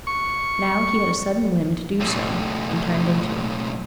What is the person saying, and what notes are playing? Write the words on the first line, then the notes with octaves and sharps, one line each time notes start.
Now he had a sudden whim to do so and turned into it.
C#6
B1 A2